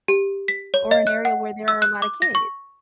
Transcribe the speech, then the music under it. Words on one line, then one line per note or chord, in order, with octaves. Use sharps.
Or an area where there are a lot of kids?
G4
B6
C#5
D#5
F#6
F#5
E6
F#6
D6
A#6
C#6